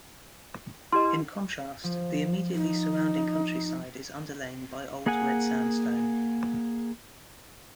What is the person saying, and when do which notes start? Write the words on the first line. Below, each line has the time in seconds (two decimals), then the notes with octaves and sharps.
In contrast, the immediately surrounding countryside is underlain by Old Red Sandstone.
0.92 E4 G4 D#5 C6
1.84 F3
2.54 D#4
5.06 A#3 G#4 F#5 G#5